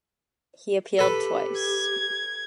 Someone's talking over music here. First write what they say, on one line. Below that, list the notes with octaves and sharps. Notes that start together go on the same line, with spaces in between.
He appealed twice.
G4 A4 B4
G#6